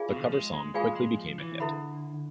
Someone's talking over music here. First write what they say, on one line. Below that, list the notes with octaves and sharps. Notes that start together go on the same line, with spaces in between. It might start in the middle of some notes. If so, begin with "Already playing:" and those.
The cover song quickly became a hit.
Already playing: F4 G#4 D5 F5 G#5
B2
F3
G#3
G#3
G#3 F4 G#4 D5 F5 G#5
G#3
F3
E3
D3 E4 A4 E5 B5